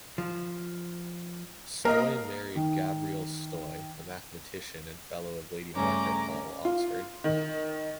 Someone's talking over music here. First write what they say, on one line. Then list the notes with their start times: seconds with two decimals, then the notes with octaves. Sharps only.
Stoy married Gabrielle Stoy, a mathematician and Fellow of Lady Margaret Hall, Oxford.
0.18 F3
1.85 A#3 A#4 D#5
2.56 D#3
5.75 G2 C#3 A3 C#4 A#5 D6
6.65 F4
7.24 D#3